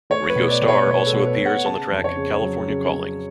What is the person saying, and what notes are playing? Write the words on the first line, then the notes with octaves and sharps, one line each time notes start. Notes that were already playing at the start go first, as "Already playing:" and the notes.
Ringo Starr also appears on the track "California Calling".
A3 C#5
B4
B2
D5
B2
C#5
B2 B4
A4
B2
B4
B2
F#5
C#3 A5
F2
C#5
C#3
F#3
C#3
C#3